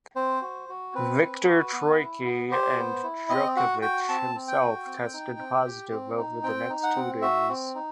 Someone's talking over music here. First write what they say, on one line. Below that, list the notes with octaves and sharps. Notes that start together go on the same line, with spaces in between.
Viktor Troicki and Djokovic himself tested positive over the next two days.
C4 C5
F#4
F#4
C4 B4
C4
F#4
B3
E4
B3
G4 C5
B3
E4
C4 D#5
F#4 F#5
F#4 G5
C4 A5
C4
G5
F#4
C4
D#4
C4
G4
C4
D#4
C4 G5
D#4
F#5
C4
F#4 E5
C4
D#4